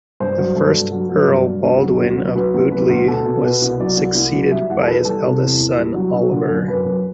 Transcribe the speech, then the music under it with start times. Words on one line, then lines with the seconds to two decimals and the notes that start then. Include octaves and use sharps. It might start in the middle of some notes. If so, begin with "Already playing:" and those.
The first Earl Baldwin of Bewdley was succeeded by his eldest son, Oliver.
0.20 G2 C5
0.37 F#3
0.56 G2 A4
0.74 G2
0.91 F#3
1.09 F#3
1.28 G2
1.46 G2
1.64 D2
1.82 F#3
2.00 D2
2.18 F#3
2.35 F#3 B4
2.54 D2
2.72 F#3 B4
2.89 D2
3.08 B2 A4
3.26 B2
3.44 B2 B4
3.62 C2
3.80 F#3 D5
3.97 C2
4.15 C2
4.33 F#3
4.51 G3 E5
4.70 E2 F#5
4.83 A4
4.87 G3 B4
5.05 G3 A4
5.24 C3
5.41 E2
5.60 E2
5.77 G3
5.95 F#3
6.14 F#3
6.31 D3
6.49 F#2
6.68 F#2 B4
6.85 F#2